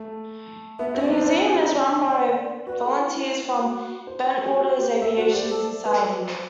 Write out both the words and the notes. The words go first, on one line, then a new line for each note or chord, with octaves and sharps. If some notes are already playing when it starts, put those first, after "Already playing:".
The museum is run by volunteers from Bentwaters Aviation Society.
Already playing: A3
B3 E5
C4 E5
D5
D4
C5
E4 D5
D5
C5
D5
F#4 B4
A4
E4
E4
E4
F#4
C5
G4
F#4
F#4
G4
A4 E5
F#4 C5
G4 D5
A4
B4
A4
B4
C5